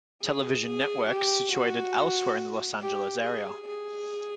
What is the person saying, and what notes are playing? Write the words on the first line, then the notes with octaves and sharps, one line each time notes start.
Television Network situated elsewhere in the Los Angeles area.
G#4
G#4
G4
F#4
G4
G#4
G#4